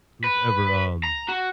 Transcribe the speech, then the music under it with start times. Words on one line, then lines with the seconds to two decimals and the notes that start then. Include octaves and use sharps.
who's ever um,
0.24 B4
1.03 A#5
1.28 F#4